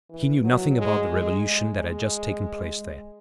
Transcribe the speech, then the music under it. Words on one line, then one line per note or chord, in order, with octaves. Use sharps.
He knew nothing about the revolution that had just taken place there.
E3
F#3
G#3
G#3
G#3
G#3